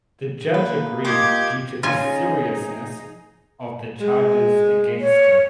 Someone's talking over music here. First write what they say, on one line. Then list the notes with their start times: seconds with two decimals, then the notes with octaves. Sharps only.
The judge agreed due to the seriousness of the charges against him.
0.54 A#3 B4
1.05 A#3 F4 G4 D#5 D6 G#6
1.83 C#3 F3 C#4 D#4 F4 G#4 G#5
4.01 G#3
5.00 C#5